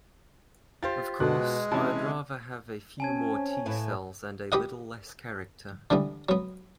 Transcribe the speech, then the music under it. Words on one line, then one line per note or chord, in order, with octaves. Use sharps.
Of course, I'd rather have a few more T-cells and a little less character.
F4 G4 C5 A6
B2 G#3 F#6
C3 E3 C#4 E4 A5
C4 C#4 G#5 A5 G#6
A2 E4 B4
G4 B4 D#5 F#5
D3 E3 G3 B3
F#3 B3